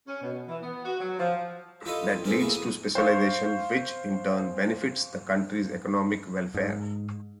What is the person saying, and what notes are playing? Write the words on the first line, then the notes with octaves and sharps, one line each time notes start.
That leads to specialization, which in turn benefits the country's economic welfare.
C#4
B2
E3
B3
F#4
F#3
F3
E4 F4 G4 A4 B4 D#5
F2
A3 C4 G4 G#4 A#4 C5
E3 A#3 E4 F#4 G#4 B4
D#6
C5 F5 C#6
G#2